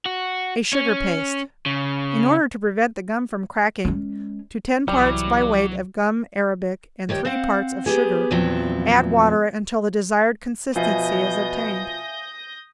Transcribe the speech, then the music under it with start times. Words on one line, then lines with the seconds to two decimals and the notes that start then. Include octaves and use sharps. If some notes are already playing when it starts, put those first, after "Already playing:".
A Sugar Paste.--In order to prevent the gum from cracking, to ten parts by weight of gum arabic and three parts of sugar add water until the desired consistency is obtained.
0.06 F#4
0.73 C#4
1.66 C#3
3.85 G#3 C#4
4.88 C2 E3 F#3 G3 D6
7.09 D#3 G3 G4 C#5
7.25 C4 C5 F5 F#5
7.86 B3 G4 G#4
8.31 E2 A#2 F3 F#3 C4 E4
10.76 B2 F3 E5 F5 G#5 D#6 G6 A#6